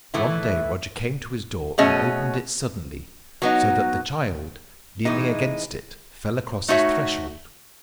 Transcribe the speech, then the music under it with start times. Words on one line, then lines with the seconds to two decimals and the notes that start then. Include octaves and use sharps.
One day Roger came to his door and opened it suddenly, so that the child, leaning against it, fell across his threshold.
0.14 A2 E3 A3 E4
1.78 B2 A3 C#4 G#4 D#5
3.42 F#3 B3 D#4
5.05 A2 E3 G#3 D#4
6.68 A3 D#4 F#4 C#5 E5